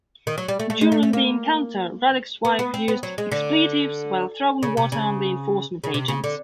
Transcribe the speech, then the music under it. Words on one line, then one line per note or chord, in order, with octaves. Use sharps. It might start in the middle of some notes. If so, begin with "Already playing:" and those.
During the encounter, Ruddock's wife used expletives while throwing water on the enforcement agents.
D#3
F#3
G3
A3
A3
G#3
A3
A3
A#3
B3
B3
C4
B3
F#3
G#3
D3
C#3
C3
C#3
C#3
C3
C#3
D3